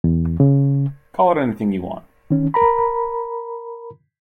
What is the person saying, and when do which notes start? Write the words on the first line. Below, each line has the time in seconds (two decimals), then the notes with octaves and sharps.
Call it anything you want.
0.04 E2
0.40 C#3
2.31 D#3 C#4
2.54 A#4 A#5 B5